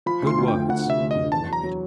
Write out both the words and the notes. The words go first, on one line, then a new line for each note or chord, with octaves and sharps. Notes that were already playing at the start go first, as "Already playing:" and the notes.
'Good words,' I replied.
F3 B5
D2 C6
D2
G5
D2
D2 F#5
C3 E5
D2
D#5
D2
E2 A5
F#3 A#5
F#3